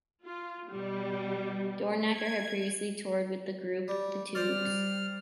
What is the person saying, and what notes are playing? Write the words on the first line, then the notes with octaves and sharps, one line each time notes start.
Dornacker had previously toured with the group The Tubes.
F4
B2 G3
G#6
G3
G3 C5 D5 F6